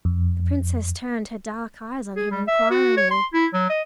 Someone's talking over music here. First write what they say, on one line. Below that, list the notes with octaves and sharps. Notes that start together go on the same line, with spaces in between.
The Princess turned her dark eyes on him inquiringly.
F2
G#4
G3
E5
F#4
C#5
C6
E4
F#3
D#5